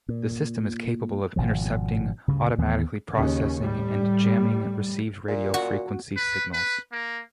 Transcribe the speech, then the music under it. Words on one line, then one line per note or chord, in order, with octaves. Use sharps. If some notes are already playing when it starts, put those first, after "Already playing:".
The system is capable of intercepting, automatically processing and jamming received radio frequency signals.
A#2
G#1 B2 F3
D2 G2 C#3
D#2 E3 B3
D#2 C#3 C#4
A2 G3
A#2
F#4
B4
B4
A#3